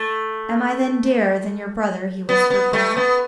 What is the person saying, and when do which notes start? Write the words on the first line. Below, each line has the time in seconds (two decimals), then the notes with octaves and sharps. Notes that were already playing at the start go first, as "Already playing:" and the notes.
"Am I then dearer than your brother?" he whispered back.
Already playing: A3
2.29 B3
2.50 B3
2.73 A3
2.97 B3